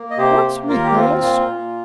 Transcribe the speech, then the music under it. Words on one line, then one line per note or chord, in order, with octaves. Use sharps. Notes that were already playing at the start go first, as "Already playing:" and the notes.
"What's rehearse?"
Already playing: A#3
D#5
C3 G4 C5
A#3
D#2 F4 A#4
G4
C4 F4
A#2 F4
A#2